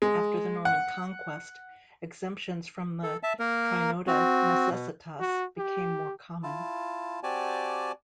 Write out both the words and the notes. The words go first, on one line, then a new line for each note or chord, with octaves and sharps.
After the Norman Conquest, exemptions from the "trinoda necessitas" became more common.
G#3
F#5
A4
E5 A5
A#3 A#4
C4 F#4
B2
F#4
G4
E4 F4 A5
C4 F#4 G4 D5 G#5 A5